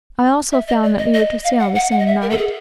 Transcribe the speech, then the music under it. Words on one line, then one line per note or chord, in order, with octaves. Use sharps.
I also found that we were to sail the same night.
E5
D#5
D5
D#5
D#5
F5
F#5
F#5
F#5
D#5
E5
A#4
A4
G#4